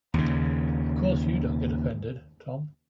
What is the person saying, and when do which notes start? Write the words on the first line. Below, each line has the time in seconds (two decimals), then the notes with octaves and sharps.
Of course you don't get offended, Tom.
0.14 D#2 C#3